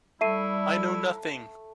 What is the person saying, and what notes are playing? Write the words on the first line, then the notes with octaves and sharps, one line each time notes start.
I know nothing!
G3 A3 E4 E5 C7 D#7